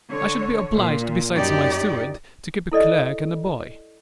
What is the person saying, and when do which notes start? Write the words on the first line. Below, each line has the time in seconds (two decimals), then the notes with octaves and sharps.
I should be obliged, besides my steward, to keep a clerk and a boy.
0.11 D3 C#5
0.76 A#2
1.35 F#2 D#4 G4 D5
2.72 E4 A4 D5 D#5